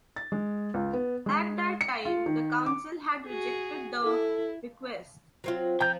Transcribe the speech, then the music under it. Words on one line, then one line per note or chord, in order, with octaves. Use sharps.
At that time the Council had rejected the request.
A6
G#3
C#2
B3
G#3
C#7
F4
D#3
D6
F#4 G#4
E4 A4
F#3 C4 F4
F3 G5 A#5 G6